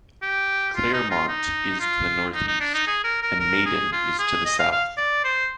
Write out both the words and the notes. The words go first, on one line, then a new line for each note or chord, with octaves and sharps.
Claremont is to the northeast, and Maiden is to the south.
G4
F4
D#4
F4
D#4
F4
D#4
D#4
D4
D#4
G#4
A#4
A#4
A#4
G#4
F4
G#4
D#5
F5
F5
D5
C5